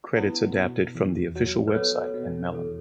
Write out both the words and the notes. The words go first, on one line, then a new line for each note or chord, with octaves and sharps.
Credits adapted from the official website and Melon.
B3 E4
B2
E2
F#3
B4
B3 A4 C#5
B2
E2 A4